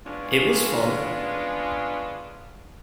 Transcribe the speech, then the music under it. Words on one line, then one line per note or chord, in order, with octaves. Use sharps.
It was fun.
G#3 B3 C#4 D4 F4